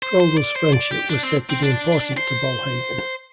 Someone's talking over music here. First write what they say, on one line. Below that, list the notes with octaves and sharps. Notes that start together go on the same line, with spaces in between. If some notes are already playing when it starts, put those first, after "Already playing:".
Crodel's friendship was said to be important to Bollhagen.
C5
C5
D5
C5
D5
G4
D4
C4
C4
D4
C5